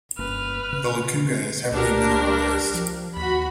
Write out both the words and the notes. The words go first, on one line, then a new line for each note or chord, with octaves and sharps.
The Lukuga is heavily mineralized.
G1 A#3 C#4 B4 F6
C#3
C#2 D4 G4 A#4
F3
D#2 F#4 B5